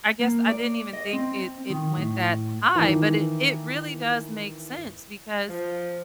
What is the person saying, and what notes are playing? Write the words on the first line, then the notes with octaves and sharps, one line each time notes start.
I guess I didn't even think it it went that high but it it really does make sense because,
A#3
D5
D#5
C4
D#3
A2
D#3 E3
F3